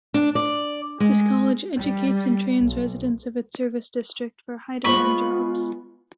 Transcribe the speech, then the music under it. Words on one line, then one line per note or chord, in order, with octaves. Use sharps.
This college educates and trains residents of its service district for high-demand jobs.
D4
D5
G#3
G3
B1
G#3 B3 F4 C5 B5 C#6